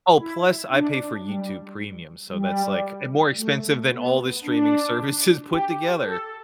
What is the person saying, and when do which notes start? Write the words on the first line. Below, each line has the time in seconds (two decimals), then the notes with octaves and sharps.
Oh, plus I pay for YouTube Premium, so that's, like, eh, more expensive than all the streaming services put together.
0.17 E4
0.71 D4
1.24 G3
2.30 G3
3.36 A3
3.90 B3
4.43 D4
5.48 G4
6.02 A4